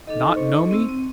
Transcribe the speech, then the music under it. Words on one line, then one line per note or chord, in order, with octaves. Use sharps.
Not know me!
D4 D#4 A4 D#5
C5 C#6
C4 E6
C4 D#7